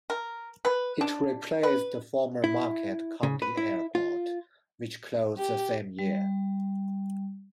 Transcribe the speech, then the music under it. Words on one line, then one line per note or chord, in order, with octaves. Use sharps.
It replaced the former Marquette County Airport which closed the same year.
A#4
B4
D4
B4
E4
C#3
B4
E4
F4
G4
G3